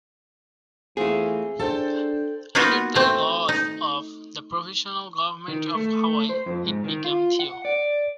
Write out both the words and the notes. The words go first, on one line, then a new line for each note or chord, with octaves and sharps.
Under the laws of the Provisional Government of Hawaii, it became Theo.
E3 A3 C4 E4 F4 G#4
D4 A4 C5 G5
A#3 B3 D#4 F4 F#4
A3 C4
D#4
D#3
A3
C5
F2
G#2
D#3
F4
F#5
D5